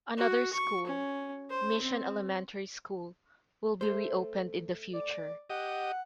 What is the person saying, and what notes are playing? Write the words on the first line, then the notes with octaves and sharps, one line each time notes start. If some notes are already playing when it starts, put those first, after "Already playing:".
Another school, Mission Elementary School, will be reopened in the future.
F#4
C#6
C#4
C5
C4
A3 A4 C5
D5
G4 D#5 F#5